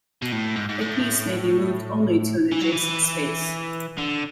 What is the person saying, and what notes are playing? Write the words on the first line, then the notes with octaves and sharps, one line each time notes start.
A piece may be moved only to an adjacent space.
B2
A2
G#2
G#2
A2
E3
F#3
E3
D3